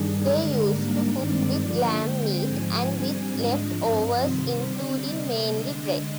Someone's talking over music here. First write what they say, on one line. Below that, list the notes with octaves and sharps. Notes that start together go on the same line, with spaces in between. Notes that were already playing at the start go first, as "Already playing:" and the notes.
They used to cook with lamb meat and with left overs including mainly bread.
Already playing: G2 D#3 G3 D4 G#4
D3 G#3 D4 A#4
G#2 G3 A#3 D4
G2 D#3 G#3 C4 D5
D3 F3 A#3 D4
D3 G#3 C4 G5
G#2 F3 G#3 G#5
D3 G3 C4
G#2 F3 G#3 D4 D#5
G2 F3 C4
C3 D#3 G3 C5
D3 G3 C4 D5
C3 G3 A#3 D#5
D3 G#3 D4